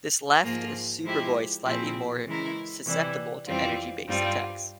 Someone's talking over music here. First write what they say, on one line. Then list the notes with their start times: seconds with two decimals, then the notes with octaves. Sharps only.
This left Superboy slightly more susceptible to energy-based attacks.
0.43 G#2 F3 A#3 F4 G#4
1.03 F3 G#3 E4 G4
1.64 A#2 F3 C4 E4 G#4
2.25 C#3 E3 G#3 E4 A#4
2.86 C3 E3 G3
3.47 F2 E3 G3 C4 F4
4.08 G2 G3 C4 F4